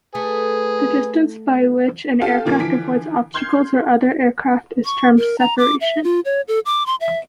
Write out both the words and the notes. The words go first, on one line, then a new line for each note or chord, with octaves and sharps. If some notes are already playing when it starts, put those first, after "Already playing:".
The distance by which an aircraft avoids obstacles or other aircraft is termed "separation".
A3 G#4 B4
C4 F4 G4 A4 F5
A#2 F3 A#3
D3 E3 F3 B6 D7
C6 F6 G6 G#6 C7
C#6
A#4
A#5
D6
E5
F4
C#5
A4
D6
C6
E5